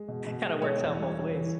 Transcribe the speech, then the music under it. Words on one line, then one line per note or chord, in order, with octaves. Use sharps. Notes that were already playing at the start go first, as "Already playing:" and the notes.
kinda works out both ways.
Already playing: G#3
B2
B2
G#3
B2 C#5
E2
G3
E2
E3